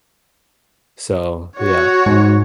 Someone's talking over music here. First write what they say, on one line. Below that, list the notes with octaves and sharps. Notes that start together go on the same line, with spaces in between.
so yeah.
F#4 C#5
G#2